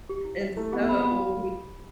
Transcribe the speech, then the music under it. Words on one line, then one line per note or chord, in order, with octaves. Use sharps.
and so he
G4
E4
E5
A3 E4
B3 G4
B3
C4 B5
B3
B5
F4